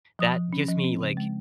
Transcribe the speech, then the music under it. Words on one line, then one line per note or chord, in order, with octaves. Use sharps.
that gives me, like,
F3 D#6
F3
C#4
F3
C4
C#3
G#3